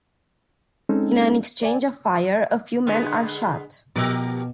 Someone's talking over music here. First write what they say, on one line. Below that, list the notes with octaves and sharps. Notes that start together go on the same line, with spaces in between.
In an exchange of fire, a few men are shot.
G#3 C4 C#4 D#4 A4
D5 G#5
D3 G#3 B3
B2 F3 G4 A#4